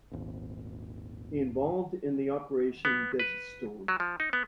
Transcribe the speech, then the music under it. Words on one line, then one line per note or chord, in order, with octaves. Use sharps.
He involved in the Operation Desert Storm.
D#1 G#1
B3
B4
F#3
F3
D#4
B3